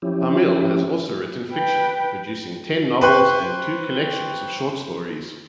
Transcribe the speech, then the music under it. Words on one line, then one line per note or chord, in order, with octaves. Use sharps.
Hamill has also written fiction, producing ten novels and two collections of short stories.
F3 C#4 E4 G4
B4 G5
B4 C5 G5 C6 C#6 F#6